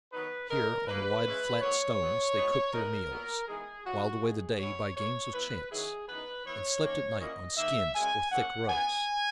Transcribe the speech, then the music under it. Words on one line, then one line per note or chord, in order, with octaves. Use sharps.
Here, on wide flat stones, they cooked their meals, whiled away the day by games of chance, and slept at night on skins or thick rugs.
D#3 F#3 B3 D#4 B4
C#3 G#3 D#4 A#4
G#2 D#3 A#3 D#4 B4
C#3 E3 G#3 C#4 E4
G#2 F#3 A#3 C#5
B2 F#3 B3
B2 G#3 B3 D#4
E3 B3 D#4 A#4
A#2 F#3 B3
E3 G#3 B3 D#4 G#4
F#2 C#3 F#3 F#4
F#2 C#3 G#3 G#4
B2 F#3 C#4 E4 C#5
G#2 E3 A#3 C#5
E3 B3 E4 B4
D#3 F#3 C#4 E4 G#4
F#2 E3 B3 D#4 B4
E3 B3 E4 C#5
D#3 A#3 C#4
A#2 F#3 A#3 C#4 E4 D#5
D#3 A#3 D#4 E5
F#2 C#3 G#3 C#4 G#5
C#3 F#3 A#3 C#4 F#5
F#2 E3 B3 G#5